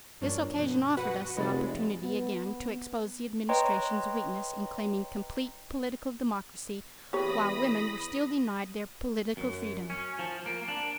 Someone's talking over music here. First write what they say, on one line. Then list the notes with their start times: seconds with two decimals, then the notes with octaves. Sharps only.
This occasion offered us the opportunity again to expose the Administration's weakness in claiming complete political democracy while women were still denied their political freedom.
0.21 G2 F3 A#3 D4 C#5
0.58 B2
0.97 F#4 B4 F#5
1.37 F1 G#3 B5 A6
2.03 B3
3.49 B4 C#5 D#5 G5 A#5 C6
7.13 E2 G4 C#5 B5 D#6 A#6
9.37 F#2
9.90 C#4
10.19 F3
10.46 A#3
10.68 D4